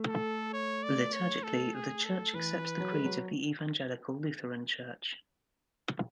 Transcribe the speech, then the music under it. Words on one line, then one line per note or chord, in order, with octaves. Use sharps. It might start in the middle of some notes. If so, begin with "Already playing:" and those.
Liturgically, the church accepts the creeds of the Evangelical Lutheran church.
Already playing: A3
A4
C#5
D5
C#5
A4
G#4
A4
E3 B4
F#3
G#3
F#3